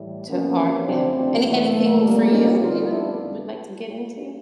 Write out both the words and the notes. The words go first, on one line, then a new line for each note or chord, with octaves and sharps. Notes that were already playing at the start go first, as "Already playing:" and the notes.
to art, yeah. Any anything for you that you would would like to get into?
Already playing: A2 E3 G3
C3 F3 A#3 B3 C#4
F2 C3 F3 A3 C4 D4
C4 D4
E2 B2 F#3 A3
F2 D3 G3 A#3
C#4 D#4
F2 D3 G3 B3 D#4 F4
D4 E4